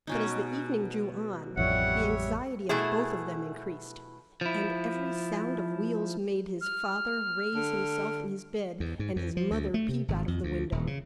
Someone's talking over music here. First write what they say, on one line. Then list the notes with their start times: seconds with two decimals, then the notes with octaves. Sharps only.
But as the evening drew on, the anxiety of both of them increased, and every sound of wheels made his father raise himself in his bed, and his mother peep out of the window.
0.07 B2 C#4 D#4
1.57 A1 F2 G3 C#5 E5 F#5
2.69 B2 A3 E4 G#4
4.41 F3 E4
6.61 F6
7.55 D3
8.80 E2
8.99 G#2
9.16 F2
9.37 F3
9.51 D2
9.74 A3
9.89 C3
10.08 G#1
10.28 F2
10.43 D2
10.72 D#1
10.87 C#3